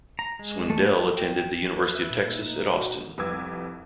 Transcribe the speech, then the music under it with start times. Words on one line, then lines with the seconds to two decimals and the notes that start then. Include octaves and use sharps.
Swindell attended the University of Texas at Austin.
0.19 A#5
0.39 G#3
0.70 A3
0.85 B4
1.17 G5
1.76 B4
1.95 E5
2.10 A#2
2.29 D#4
2.42 D#4
2.69 F#4
3.18 C2 F2 B3 D6 E6 G#6